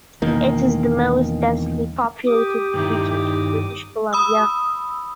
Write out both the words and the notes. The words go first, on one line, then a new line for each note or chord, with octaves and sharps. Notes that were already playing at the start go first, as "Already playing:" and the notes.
It is the most densely populated region in British Columbia.
E1 D#3 A#3
G4 D6 D#6
G2 D#3 D#4 E4
B5 D#6 E6